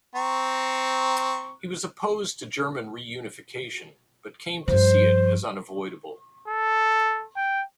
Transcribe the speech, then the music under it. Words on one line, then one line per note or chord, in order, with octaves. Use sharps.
He was opposed to German reunification but came to see it as unavoidable.
C4 A#5 C#6
G2 F3 C5
A4
G5